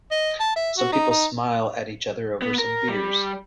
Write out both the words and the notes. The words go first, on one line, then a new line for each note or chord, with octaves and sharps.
Some people smile at each other over some beers.
D#5
A5
E5
F#4
D#4
D#4
B3
A#4
G3